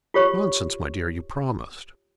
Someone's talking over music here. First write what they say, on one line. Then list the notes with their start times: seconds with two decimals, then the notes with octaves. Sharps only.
"Nonsense, my dear; you promised."
0.14 F4 G4 C#5 C#6